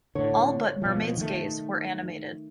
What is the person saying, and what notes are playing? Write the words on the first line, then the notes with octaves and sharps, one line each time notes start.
All but "Mermaid's Gaze" were animated.
A2 D3 C#5
B2 F3
D#3 A3